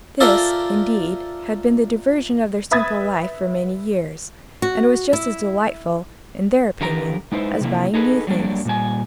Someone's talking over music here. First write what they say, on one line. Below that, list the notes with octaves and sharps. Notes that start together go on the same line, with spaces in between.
This, indeed, had been the diversion of their simple life for many years, and was just as delightful, in their opinion, as buying new things.
F4 A4 A#4 C5 D5 E5
B4 E5 B5 D#6 G#6 A6
F#4
E4
D3 D#3 G4 A#4 A#5
G#3 D#4 E4 B4 C5
C3 E3 A#3 E4
D#4 G#4 A4 B4
F#3 G3 A#3 D4
A#2 G3 G#5